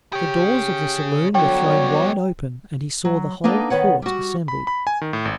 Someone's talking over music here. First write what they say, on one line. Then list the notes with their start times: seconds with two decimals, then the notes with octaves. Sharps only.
The doors of the saloon were thrown wide open and he saw the whole court assembled.
0.13 G4 G#4 C#5
1.35 D3 F#3 G3 B3 C#5 G5
3.05 F#3
3.44 A#3 B3 D4 D#4 A4
3.70 D#3 B3 B4 C#5 F#5
4.02 G3 F#4
4.48 B5
4.67 B5
4.87 G#5
5.01 D#3
5.13 A2
5.25 G#1